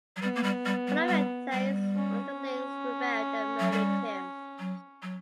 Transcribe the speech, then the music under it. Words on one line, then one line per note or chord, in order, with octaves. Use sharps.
One of Atai's underlings rebelled and murdered him.
F#3
G3 B3
A#3
G3
G3
G3
G3
G3
C#4
F#3
G3
F#3
F#3